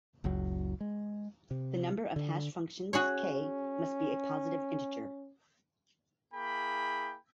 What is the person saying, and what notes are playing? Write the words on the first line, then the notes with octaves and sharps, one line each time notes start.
The number of hash functions, "k", must be a positive integer.
F#1 C#2 F#3
G#3
C3
D3
C#4 F#4 G#4 C#5
A#3 E4 G#4 G5 B5